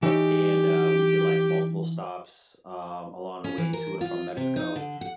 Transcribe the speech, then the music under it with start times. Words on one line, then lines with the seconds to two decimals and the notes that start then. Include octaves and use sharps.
and, uh, we did, like, multiple stops, um, along the way to and from Mexico,
0.03 E3 D#4 G4 C#5
3.44 C#4
3.58 E3
3.73 A#4
4.01 F4
4.37 C3
4.56 D#4
4.76 D3
5.01 F#5